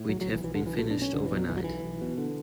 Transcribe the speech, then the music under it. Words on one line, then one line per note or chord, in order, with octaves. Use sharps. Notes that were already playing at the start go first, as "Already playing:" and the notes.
We'd have been finished overnight.
Already playing: A2
B1 F#3
F#3
B1
E3
B1 E3
D3
B1
E3
B2 A3
D4
B1
C#4
B1 D3
E3
B2
F#3
B1 E3
F#3
B1 E3
B1
B2
D3